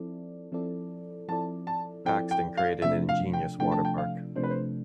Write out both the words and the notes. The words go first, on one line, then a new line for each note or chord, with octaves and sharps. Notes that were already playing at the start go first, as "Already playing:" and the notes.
Paxton created an ingenious water park.
Already playing: F3 C4 E4 A4 D5
F3 C4 E4 A4 D5
F3 C4 E4 A4 D5 A5
A5
F3 C4 E4 A4 D5 G5
G5
F5
C3 F3 A3 D4 E5
F5
G5
C3 F3 A3 D4 G5
A5
G5
F5
C3 F3 A3 D4 C5
B4
C5